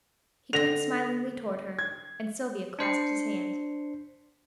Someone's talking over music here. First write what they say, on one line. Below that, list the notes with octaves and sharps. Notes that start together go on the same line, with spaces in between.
He turned smilingly toward her, and Sylvia clasped his hand.
D3 C4 A#6 F7
G#6
D4 C5 C7 C#7